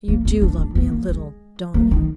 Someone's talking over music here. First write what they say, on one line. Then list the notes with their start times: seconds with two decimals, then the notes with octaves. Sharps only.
You do love me a little, don't you?
0.08 A#3
0.25 B3
0.41 D4
0.58 D4
0.75 B3
0.92 A#3
1.08 G#3
1.74 A#3
1.91 D#3